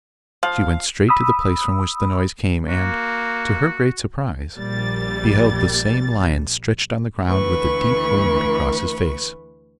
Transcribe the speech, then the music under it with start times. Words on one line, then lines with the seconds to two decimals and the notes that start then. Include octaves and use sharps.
She went straight to the place from which the noise came, and, to her great surprise, beheld the same lion stretched on the ground with a deep wound across his face.
0.43 F3 F5
1.09 B5 D#6 E6
2.68 A#3 F#4
4.58 A#1 G3 A#3 A6
7.26 D2 E3 A3 B4 B5 C#6